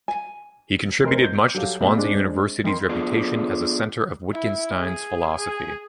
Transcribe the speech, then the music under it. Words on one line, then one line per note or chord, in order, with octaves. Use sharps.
He contributed much to Swansea University's reputation as a centre of Wittgenstein's philosophy.
G#5
F1 A#4 C5 C7
G6
F#3 G4 A4 F5
B2 A3
G#3 C4 D4
F2 A#4 C6
B3 D4 F4 G#4 A4
E4
G#4 G#5
G#4 G#5